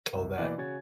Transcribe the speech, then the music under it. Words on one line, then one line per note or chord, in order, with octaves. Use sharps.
all that,
C2
B2 E3 A#3 D5 G#5
C#3 F#4 C#5 G#5 G#6 A6